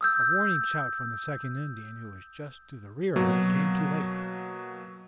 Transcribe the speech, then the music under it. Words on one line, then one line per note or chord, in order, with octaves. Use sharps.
A warning shout from the second Indian, who was just to the rear of them, came too late.
D#6 E6 G6
B2 F#3 A#3